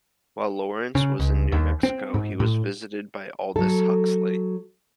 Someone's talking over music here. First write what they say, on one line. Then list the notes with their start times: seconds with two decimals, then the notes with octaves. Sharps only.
While Lawrence was in New Mexico, he was visited by Aldous Huxley.
0.95 C#3
1.19 C#2
1.52 D#2
1.83 C4
2.14 G#2
2.40 A2
3.56 F#3 A4